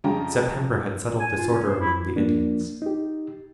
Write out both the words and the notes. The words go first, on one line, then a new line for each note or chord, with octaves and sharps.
September had settled disorder among the Indians.
F2 C#3 G3 G5 A#5
G#5
F4
C#4
C5
E4
F3 A#3 D4
D#4 G4